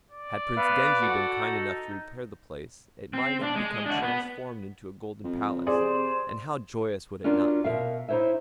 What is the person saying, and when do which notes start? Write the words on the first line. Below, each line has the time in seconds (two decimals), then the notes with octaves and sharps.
Had Prince Genji been kind enough to repair the place, it might have become transformed into a golden palace, and how joyous would it not be?
0.11 D5
0.57 B3 B4 F5
1.02 F#4 A4
1.39 D#4
3.13 C4
3.42 D4
3.56 G#3
3.86 D4 F#4
4.02 B3
5.24 F2
5.67 G#4 C5 D5
5.82 C3
7.24 C#4 D4 F4 F#4 A#4
7.64 B2 A#4 E5 F5
8.08 D#4 E4 C5 C#5 E5